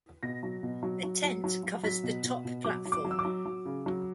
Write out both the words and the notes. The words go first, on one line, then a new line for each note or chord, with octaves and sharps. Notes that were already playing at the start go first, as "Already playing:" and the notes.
A tent covers the top platform.
B2 A#6
F#3
B2
F#3
F#3
F#3
F#3
F#3
F#3 B6
B2
B2
B2
F#3 D6
F#3
D6
F#3
E6
D6
F#3
F#3
C#3
F#3